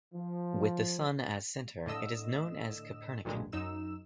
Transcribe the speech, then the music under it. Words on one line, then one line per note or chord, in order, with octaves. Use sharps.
With the sun as center, it is known as "Copernican".
F3
A2 D3 D#5 E6 E7
B1 G2 A#2 D3 G#3
F#2 D#4 E6 E7